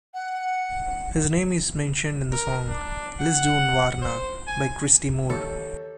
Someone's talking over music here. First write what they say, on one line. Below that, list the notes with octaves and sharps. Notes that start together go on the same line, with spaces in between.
His name is mentioned in the song "Lisdoonvarna" by Christy Moore.
F#5
A#4
D4
F#5
C5
G#5
D#2 A4 C#5